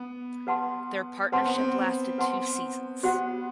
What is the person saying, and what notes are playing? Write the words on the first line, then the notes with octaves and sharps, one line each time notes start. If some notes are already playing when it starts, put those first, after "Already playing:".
Their partnership lasted two seasons.
Already playing: B3
B4 F#5 A5 C6
C4 B4 F#5 A5 C6
B3
C4
B4 F#5 A5 C6
B3 F#4 C5 F#5